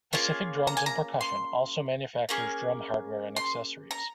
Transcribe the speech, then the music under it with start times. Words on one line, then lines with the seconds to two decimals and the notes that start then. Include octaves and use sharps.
Pacific Drums and Percussion also manufactures drum hardware and accessories.
0.13 A#3 C#4 F4 G#4
0.67 A#5
0.77 G#5
0.86 A#5
1.21 C6
2.29 A#3 C#4 G#4
3.37 C6
3.91 A#5